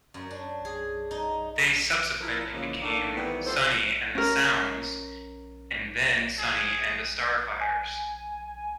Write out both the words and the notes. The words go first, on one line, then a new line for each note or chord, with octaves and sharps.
They subsequently became Sonny and The Sounds and then Sonny and The Starfires.
F#2
D4
G#4
D#4
F3 E4 G#4 A#4
C#3 E3 F3 G#3 A#3 C#4
D#3 A3 A#3 D4
D#3 E3 G3 A3 B3 C4
F3 G3 A4 C5
C#4 A#4
G#4
G#5